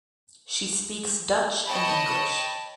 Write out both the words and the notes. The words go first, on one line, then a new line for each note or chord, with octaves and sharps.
She speaks Dutch and English.
C#5 D#5 G5 A5 B5